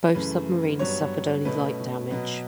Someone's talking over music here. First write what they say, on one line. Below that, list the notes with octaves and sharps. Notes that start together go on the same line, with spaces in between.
Both submarines suffered only light damage.
F#2 C#3 E3 A3 B4
G2 F#3 B3 C#5
B2 A3 C#4 B4
B2 F#3 B3